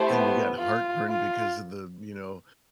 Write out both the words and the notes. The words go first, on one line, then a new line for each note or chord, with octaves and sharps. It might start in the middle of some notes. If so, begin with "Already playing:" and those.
And you got heartburn because of the, you know,
Already playing: A3 E4 G4 C5
B3
F4
F4